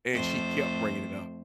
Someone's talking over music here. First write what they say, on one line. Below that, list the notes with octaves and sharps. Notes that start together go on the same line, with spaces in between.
and she kept bringing it up.
F2 A3 C5